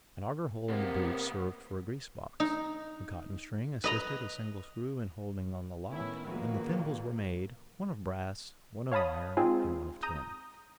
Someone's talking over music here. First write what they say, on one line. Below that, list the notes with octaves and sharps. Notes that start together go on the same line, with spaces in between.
An auger-hole in the breech served for a grease-box; a cotton string assisted a single screw in holding on the lock; and the thimbles were made, one of brass, one of iron, and one of tin.
C3 A#3 B3
D#4
B4 D#5 A#5
A2 D#3 B3 C#4 E4
F#2 F3 G#3 A#3 F#4 B4
D#2 A#2
C#5 F5 A5 B5 D#6
G#3 C4 D#4 F4 G#4
A#5 D#6 G6